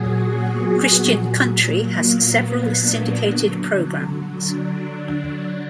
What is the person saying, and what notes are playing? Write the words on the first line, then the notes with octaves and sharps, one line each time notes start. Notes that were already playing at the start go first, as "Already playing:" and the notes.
Christian country has several syndicated programs.
Already playing: A#2 F#3 F#4 G#4
B3
A#2 F#3
A#3
B3
D4
D3 F#3
D4
D4